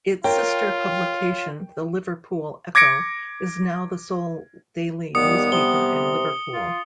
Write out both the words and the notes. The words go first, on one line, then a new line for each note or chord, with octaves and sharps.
Its sister publication, the "Liverpool Echo", is now the sole daily newspaper in Liverpool.
F4 A#4 C#5 G5
D6 G#6 A#6 C#7 D7
D#2 G3 B3 D#6 C#7
C3 G7
F4